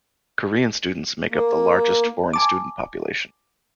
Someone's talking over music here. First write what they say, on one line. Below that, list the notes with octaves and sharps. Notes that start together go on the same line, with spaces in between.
Korean students make up the largest foreign student population.
A#3
G#5 A5 D6